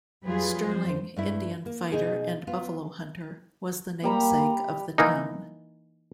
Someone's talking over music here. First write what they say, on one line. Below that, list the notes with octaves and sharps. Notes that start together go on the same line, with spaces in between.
Sterling, Indian fighter and buffalo hunter, was the namesake of the town.
F2 F#3 G3 F4 G#4 B4
F2 C5
G2 A3 E4
A#3
B2 D#4 G#4
B3 F4
G3 A#3 A#5 B5
E3 A#3 D#4